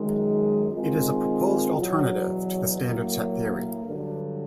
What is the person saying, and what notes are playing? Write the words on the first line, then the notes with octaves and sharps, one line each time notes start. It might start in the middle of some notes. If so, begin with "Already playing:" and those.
It is a proposed alternative to the standard set theory.
Already playing: F#2 D#3 G#3
D#3 G#3 C4 F4
E2 B2 F#3
A2 F#3 A#3
G2 D3 F#3